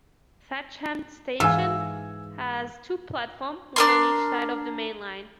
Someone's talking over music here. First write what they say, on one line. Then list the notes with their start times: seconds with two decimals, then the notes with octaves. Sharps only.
Thatcham station has two platforms, one on each side of the main line.
1.40 G#2 E3 F4 G#5 E6
3.76 D4 A#4 C6